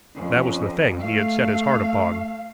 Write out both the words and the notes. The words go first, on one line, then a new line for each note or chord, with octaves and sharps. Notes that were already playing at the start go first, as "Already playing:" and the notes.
That was the thing he had set his heart upon.
F2 C#4
A3 F5